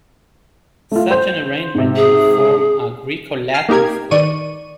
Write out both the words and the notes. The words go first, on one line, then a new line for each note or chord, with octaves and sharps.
Such an arrangement would form a Graeco-Latin square.
A3 F4
C5 G6
G#2 C3
G#4
F6 C7
A#3 D#4 G4 A#4 G#6
D#3 D5 C#6 D#7